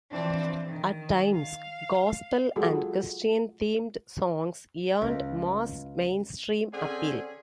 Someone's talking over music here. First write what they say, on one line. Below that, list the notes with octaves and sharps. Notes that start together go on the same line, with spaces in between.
At times, gospel and Christian-themed songs earned mass mainstream appeal.
E3 F3 C4 D4
D#3
F5
F#3 G#3 F4 F#4 G#4 A4
C#2
C4 C#4 G#4 A4 D5 F#5